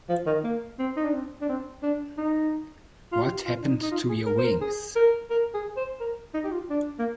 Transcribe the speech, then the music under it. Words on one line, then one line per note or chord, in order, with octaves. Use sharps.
What happened to your wings?
F3
D#3
A#3
C4
D#4
D4
C4
D4
C4
D4
D#4
F4
G4
F4
D4
D#4
D#4
F4
G#4
A#4
C5
A#4
G#4
A#4
A#4
G#4
C5
A#4
D#4
G4
F4
D4
A#3